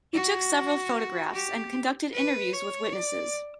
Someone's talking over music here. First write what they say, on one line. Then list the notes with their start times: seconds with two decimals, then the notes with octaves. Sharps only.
He took several photographs and conducted interviews with witnesses.
0.14 F#4
1.34 G4
2.13 B4
2.53 C#5
2.93 D5